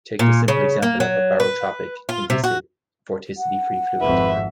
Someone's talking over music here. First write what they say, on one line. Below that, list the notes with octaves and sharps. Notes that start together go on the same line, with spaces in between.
Take the simple example of a barotropic, inviscid vorticity-free fluid.
A#2
C#3
A#3
F#3
B4
F4
C3
F#4
F#5
G#1 F2 B4 E5